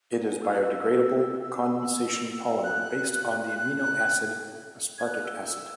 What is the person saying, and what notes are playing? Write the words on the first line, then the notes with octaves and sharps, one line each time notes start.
It is biodegradable condensation polymer based on the amino acid aspartic acid.
F#5
G#5
E6
F#6
E6
E6
F#6
F#6
G#6
F#6
E6